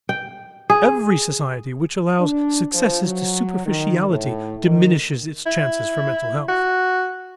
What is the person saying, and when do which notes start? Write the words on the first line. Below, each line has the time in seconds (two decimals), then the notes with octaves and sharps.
Every society which allows successes to superficiality diminishes its chances for mental health.
0.09 G5
0.70 G#4
2.19 D4
2.73 F3
3.03 F#3
3.65 D#3
4.10 A2
4.63 D#3
5.46 E4
6.49 F#4